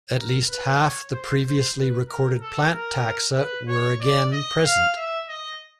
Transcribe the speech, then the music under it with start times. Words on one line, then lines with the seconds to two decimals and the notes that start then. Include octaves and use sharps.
At least half the previously recorded plant taxa were again present.
0.17 A#4
0.48 B4
0.80 C#5
1.11 C5
1.44 C5
1.76 B4
2.08 A#4
2.41 A4
2.71 A#4
3.35 B4
3.68 C#5
4.00 D5
4.32 D#5
4.64 F5
4.96 E5
5.28 D#5